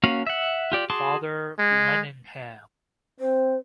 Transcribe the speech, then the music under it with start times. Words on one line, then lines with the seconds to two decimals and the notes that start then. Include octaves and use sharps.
Father Lenihan.
0.04 A#3 C#4 F#4 F5
0.27 E5 F#5
0.72 F4 G4 D5
0.90 F#4 G#4 A5 C6 D6
1.59 G#3
3.20 C4 C5